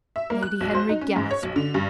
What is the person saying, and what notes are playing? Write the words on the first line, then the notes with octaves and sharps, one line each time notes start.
Lady Henry gasped.
E5
A#3
F#6
B1
C5
D#4
C#4
G#2
C#5
B1
D3
G2